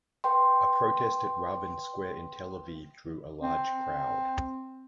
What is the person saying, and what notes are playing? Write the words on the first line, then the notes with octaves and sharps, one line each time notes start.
A protest at Rabin Square in Tel Aviv drew a large crowd.
B4 G5 C6
C4